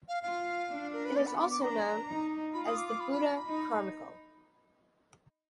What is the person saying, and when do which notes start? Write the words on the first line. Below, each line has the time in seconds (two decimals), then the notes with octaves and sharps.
It is also known as the "Buda Chronicle".
0.08 F5
0.23 F4 F5
0.69 D4
0.93 A#4
1.05 B4
1.16 B3 D5
1.27 B5
1.39 D6
1.51 D6
1.62 D4 A#5
2.08 D#4
2.53 F4 B5
2.66 D#6
2.77 D6
2.88 D6
3.00 B5
3.12 B5
3.23 A#5
3.35 B5
3.46 D#4